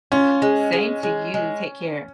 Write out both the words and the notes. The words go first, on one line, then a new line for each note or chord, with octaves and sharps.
Same to you. Take care.
C#4 F4
G#3
G#3
G#3
G#3